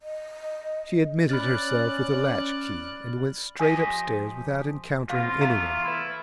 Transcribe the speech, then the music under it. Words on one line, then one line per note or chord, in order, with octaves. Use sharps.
She admitted herself with a latch-key, and went straight upstairs without encountering anyone.
D#5
C#4 D5 B5 F6 F#6 A6
F3 G4 D#5 G#5
A2 C3 F4 F5
E3 A3 B3 E5 F5 A#5
E4 B4 B5